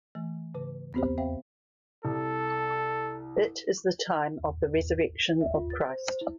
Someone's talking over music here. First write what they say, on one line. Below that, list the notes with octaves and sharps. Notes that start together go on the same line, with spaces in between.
It is the time of the resurrection of Christ.
E3 A3
G#2 C#3 B4
B3 C4 F#4 G4 C5
C4 C5 E5 F5 G5
C2 A4
E5
F4
A6
C5
C5
E4